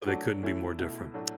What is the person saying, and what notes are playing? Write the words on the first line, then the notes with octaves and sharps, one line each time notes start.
They couldn't be more different.
F#3 A3 D4 F#4
E3 A3 C#4 E4
B2 A3 E4
A2 F#3 A3 D4 F#4